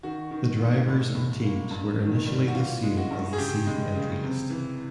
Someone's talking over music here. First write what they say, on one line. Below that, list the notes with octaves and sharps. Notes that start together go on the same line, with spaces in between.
The drivers and teams were initially the same as the season entry list.
D#3 F#4
D#3
G#2
A2
A2
A#3
G2
D#3
G3
F#4
E3 F4
G#3
F#4
G2
G#4
C#3 G4
G#3
C#3
C3
E3